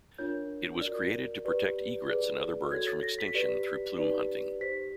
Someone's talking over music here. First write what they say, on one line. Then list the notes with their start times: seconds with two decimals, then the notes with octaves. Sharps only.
It was created to protect egrets and other birds from extinction through plume hunting.
0.18 D4 F4 A#4 C#5 G6
0.81 F#4 A#4 D5
1.45 G4 B4 D5
2.08 E4 G#4 B4 D5
2.71 F#4 A4 C#5 G#6
2.87 A6
3.03 A#6
3.19 B6
3.34 G4 B4 D5
3.98 D#4 G4 B4 D5
4.61 G4 C5 B6